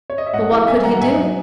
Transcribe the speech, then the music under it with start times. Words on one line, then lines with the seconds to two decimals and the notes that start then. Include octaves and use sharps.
But what could he do?
0.10 C#5
0.18 D#5
0.26 E5
0.34 G#2 D#5 F#5
0.51 E3
0.67 E2 E5 G#5
0.84 D#3 F#3 F#5 A#5
1.00 G#2 E5 G#5
1.17 F#3